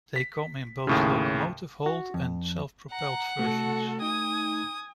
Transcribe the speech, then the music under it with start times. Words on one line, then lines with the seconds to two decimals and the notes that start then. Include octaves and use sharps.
They come in both locomotive hauled and self-propelled versions.
0.16 B6
0.87 D#2 A2 C#3
1.86 F#4
2.14 F2
2.92 F#5 A#5
3.39 C3 A3 F#4 A4
4.02 D#4 G#5 D#6